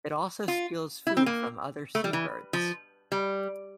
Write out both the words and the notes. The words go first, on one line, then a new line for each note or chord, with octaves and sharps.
It also steals food from other seabirds.
F4
E4
C4
A#3
A3
G3
E3
F3
G3